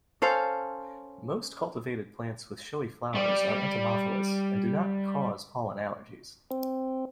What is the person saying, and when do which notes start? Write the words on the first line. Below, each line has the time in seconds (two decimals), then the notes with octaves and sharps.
Most cultivated plants with showy flowers are entomophilous and do not cause pollen allergies.
0.22 C#4 A4 C5 F5
3.15 G3 D5
6.51 C4